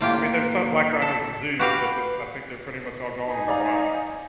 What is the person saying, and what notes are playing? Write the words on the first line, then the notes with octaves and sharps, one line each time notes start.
I mean, there's some black rhinos in zoos, but the I think they're pretty much all gone in the wild.
A2 A#3 F4 G4
A4
F#4 G4 B4 F5
D#4 G#5
D5 F5 A#5